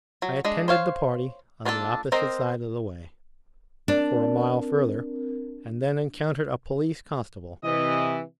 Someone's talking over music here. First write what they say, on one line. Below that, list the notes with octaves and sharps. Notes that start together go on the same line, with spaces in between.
I attended the party, on the opposite side of the way, for a mile further, and then encountered a Police-constable.
F#3
G#3 D4
C5 C#5 F5
A#3 D4 F4 G#4 A4
C4 A#4 C5 D#5
C4 D4 A#4
C3 E3 D#5